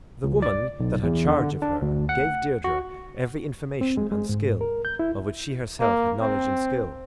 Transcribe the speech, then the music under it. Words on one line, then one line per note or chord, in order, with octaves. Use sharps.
The woman that had charge of her gave Deirdre every information and skill of which she herself had knowledge and skill.
C#2
D5
B1
E2
D3
D4
D2
F#5
F#4
C4
G#3
G#3
G#2
A#4
G6
E4
A#3
C4